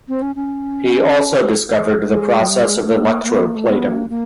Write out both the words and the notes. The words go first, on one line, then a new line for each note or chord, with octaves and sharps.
He also discovered the process of electroplating.
C4
C#4
C#4
G#3
F#3
G3
G#3
A3
A#3
A#3
B3
A#3
A3
B3
A#3
A#3